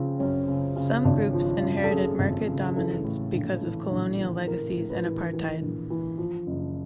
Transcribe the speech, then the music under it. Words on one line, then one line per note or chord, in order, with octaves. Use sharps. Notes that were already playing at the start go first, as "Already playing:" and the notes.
Some groups inherited market dominance because of colonial legacies and apartheid.
Already playing: C#3 F3 C4
F#2 C#4
C#3
C#3
G#1 D4
F3
F#2
A4
F#2 G#4
G#1
C#3
E3 A4
A2
A#1
E3
A#1
E3
E3 A#4
A2
B4
E3
E3
A#1
E3
F3
F#1